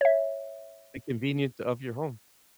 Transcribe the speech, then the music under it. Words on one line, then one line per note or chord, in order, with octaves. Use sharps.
The convenience of your home.
C#5 E5